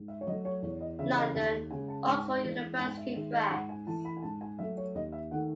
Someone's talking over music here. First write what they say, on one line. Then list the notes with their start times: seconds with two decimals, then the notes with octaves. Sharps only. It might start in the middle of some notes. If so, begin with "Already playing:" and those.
London: Oxford University Press.
Already playing: G#2
0.08 E5
0.21 C#5
0.27 F#3 D#5
0.32 A3
0.45 C#5
0.62 E2 C#5
0.81 D#5
0.99 C#3 E3 A3 E5
1.17 D#5
1.35 D#2 E5
1.71 C#3 G#3 G#5
1.88 A5
2.06 G#2
2.43 E3 G#3
2.79 G#2 G#5
2.97 E5
3.15 D#3 G#3 E5
3.34 D#5
3.50 G#2 F#5
3.69 G#5
3.86 E3 A3 A5
4.05 B5
4.17 G#5
4.23 G#2 A5
4.41 G#5
4.59 F#3 A3 E5
4.78 C#5
4.95 D#2 D#5
5.12 E5
5.31 D#3 A3 F#5